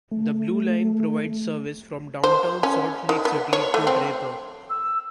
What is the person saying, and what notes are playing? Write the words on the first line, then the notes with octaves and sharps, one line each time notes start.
The Blue Line provides service from Downtown Salt Lake City to Draper.
A3
C5
C#4
D#3
B3
C#5
A3
C4
E6